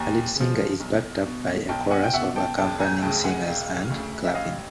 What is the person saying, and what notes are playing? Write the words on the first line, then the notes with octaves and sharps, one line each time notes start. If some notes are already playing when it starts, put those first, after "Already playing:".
A lead singer is backed up by a chorus of accompanying singers and clapping.
Already playing: D#2 G#5 A#5
C#3 F3
B1
B2
B1 G5 A5
F#5 G#5
G5
B2 E5 F#5
G5 A5
E1 G5 A5
G#5 A#5
D2 C#3 G5 A5
F#5 G#5
E1 F5 G5
D2 C#3
E5
A1 D#5 F5